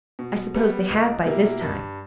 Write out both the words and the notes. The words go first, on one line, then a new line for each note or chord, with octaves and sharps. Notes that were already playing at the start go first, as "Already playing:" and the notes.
"I suppose they have by this time."
B2
G3 B3
C#2
B2 A#3 E4 G4
G2